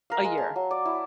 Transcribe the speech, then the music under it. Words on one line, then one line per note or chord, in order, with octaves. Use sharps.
A year.
A#4 F5
G#3
A5
F#3
D5
E4